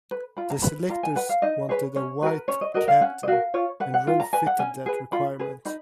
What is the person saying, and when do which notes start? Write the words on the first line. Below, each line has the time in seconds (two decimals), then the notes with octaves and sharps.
The selectors wanted a white captain and Rolph fitted that requirement.
0.11 B4
0.37 F4 B5
0.50 A#5
0.62 B4 B5
0.90 F4 A#5
1.03 G#5
1.16 B4 F#5
1.29 F5
1.42 D#4 D#5
1.69 G#4 B4 C#5
1.96 C#4 C#5
2.22 F#4 A#4 B4
2.48 C#4 C#5
2.61 D#5
2.74 F#4 A#4 D#5
2.88 F5
3.01 C#4 F#5
3.23 D#5
3.28 F#4 A#4 F5
3.54 F4 C#5
3.80 B4 F#5
3.94 F#5
4.07 F4
4.20 A#5
4.33 B4 G#5
4.47 F#5
4.59 C#4 G#5
4.86 G#4 B4
5.12 F4 B5
5.39 G#4 B4
5.65 D#4 B5